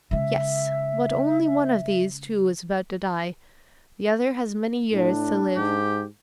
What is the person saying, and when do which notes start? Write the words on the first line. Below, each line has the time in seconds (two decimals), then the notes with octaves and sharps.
"Yes; but only one of these two is about to die; the other has many years to live."
0.11 C#3 G#3 E5
4.92 A2 D4
5.57 G#2 G4